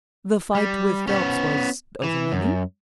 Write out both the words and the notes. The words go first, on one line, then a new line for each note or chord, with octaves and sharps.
"The fight with Phelps was over money?"
G3
B3 C#4
E3
F#2